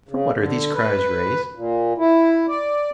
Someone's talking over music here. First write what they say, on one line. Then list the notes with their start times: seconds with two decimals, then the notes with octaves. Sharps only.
'For what are these cries raised?
0.09 C#3
0.38 D3
0.75 B4
1.55 A#2
1.98 E4
2.48 D5